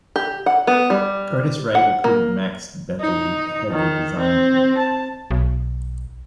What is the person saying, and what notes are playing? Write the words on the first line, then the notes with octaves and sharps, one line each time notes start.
Curtiss-Wright recruited Max Bentele to head their design team.
G4
F#5
B3
G3
F#5
A#3
D#4
D#3
C4
A5
B1